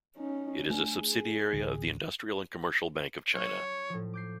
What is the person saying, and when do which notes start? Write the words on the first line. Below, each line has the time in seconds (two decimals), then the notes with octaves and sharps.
It is a subsidiary of the Industrial and Commercial Bank of China.
0.17 C#4 D#4
0.70 A3 D4 G#5
1.00 G#4
1.53 A1 D2
3.34 F#3 C#4 C#5
3.89 A2 F3
4.13 D6 G6 C7